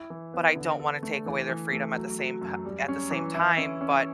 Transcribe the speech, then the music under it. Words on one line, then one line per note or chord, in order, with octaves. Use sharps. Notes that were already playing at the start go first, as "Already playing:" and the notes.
but I don't wanna take away their freedom at the same pi at the same time, but,
Already playing: E4
E3
B3
D3
A4
A3
E3
E3
A3
F#3
F#3
F#2
G3
C#4
E3
E4
C#4
C#4